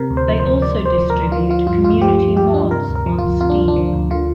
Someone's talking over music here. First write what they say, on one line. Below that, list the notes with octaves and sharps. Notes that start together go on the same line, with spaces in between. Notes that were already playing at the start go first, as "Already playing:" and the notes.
They also distribute community mods on Steam.
Already playing: C3 A#4
D2
C5
F3
C5
D2
C3 D5
D2 C5
F3
A#4
D2
F3 F4
F3 F4
G2 F4
G2 F4
F3 G4
F3
G2 G4
G2 D4
C3 A#4
D2
A#4
F3
F4
D2
C3 F4
D4
D2
D4
F3
D2
D3 F4